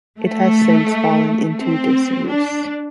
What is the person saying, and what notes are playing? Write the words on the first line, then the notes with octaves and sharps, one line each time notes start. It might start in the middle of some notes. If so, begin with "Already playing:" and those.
It has since fallen into disuse.
A3
C4
D4